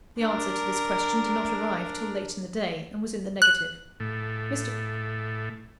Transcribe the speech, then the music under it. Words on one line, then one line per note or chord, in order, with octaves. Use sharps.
The answer to this question did not arrive till late in the day; and was in the negative--Mr.
D4 A#4
F#6
A2